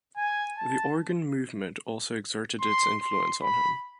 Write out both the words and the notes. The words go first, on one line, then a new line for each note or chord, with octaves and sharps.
The organ movement also exerted its influence on him.
G#5
A5
C6
C6
B5